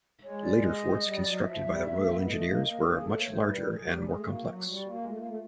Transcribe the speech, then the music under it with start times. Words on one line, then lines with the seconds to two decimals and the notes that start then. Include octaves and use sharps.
Later forts constructed by the royal engineers were much larger and more complex.
0.23 G#3 C#5
0.43 D5
0.63 D#5
1.03 G3
1.18 F#3 D5
1.31 D#5
1.43 F3 E5
1.63 G3
1.94 A3
2.05 A#3
2.15 B3
2.25 A3 D#5
2.45 A#3
2.65 A#3
2.82 A#3 G4
2.93 G#4
3.05 A3 A4
3.14 A#3
3.19 A3 C#5
3.33 C5
3.40 G#3
3.45 G3 B4
3.56 B4
3.66 A#4
3.75 F#3 G#4
3.86 G3 G4
4.02 G#3 G#4
4.13 A3
4.26 A#3 F#4
4.46 F#3
4.66 G3
4.86 A#3
4.98 G#3
5.06 A3 F4
5.17 A#3
5.27 A3